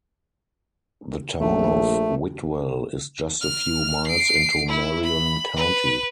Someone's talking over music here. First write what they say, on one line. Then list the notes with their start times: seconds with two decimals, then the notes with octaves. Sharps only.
The town of Whitwell is just a few miles into Marion County.
1.40 A#1 A3
3.41 F6
4.07 C7 D7
4.69 E4
5.03 B5
5.56 B4